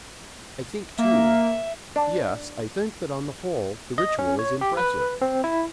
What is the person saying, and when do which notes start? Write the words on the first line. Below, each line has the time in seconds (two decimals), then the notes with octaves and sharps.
I think too--yes, I think that on the whole the ritual is impressive.
0.99 A#3 E5
1.96 D4
3.98 D#5
4.19 C#4
4.39 C#5
4.61 G4
4.77 B4
5.22 C4
5.44 E4